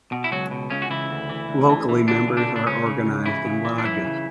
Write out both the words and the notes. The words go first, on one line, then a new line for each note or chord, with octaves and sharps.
Locally, members are organised in lodges.
B2
E4
C#2 F#3 F#4
B2
C#2 C#3 C#4
F#4
C#3 E3 E4
D2
E3
D2
E3
E3
D3 E3 D4
C#3
D3 D4
C#3
D4
C#2 C#3 C#4
C#3
C#2
C#3 E3 E4
C#3
E3
D4
F#2 E3 E4
C#3